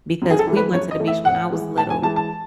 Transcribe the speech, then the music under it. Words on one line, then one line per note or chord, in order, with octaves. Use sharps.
because we went to the beach when I was little,
F#2
G#4
A4
E3 A3
B4
F#2 C#5
D#5
E3 A3
E5
A2 F#5
E3 G#3
A2 A5
G#5
E3 G#3 A5
A5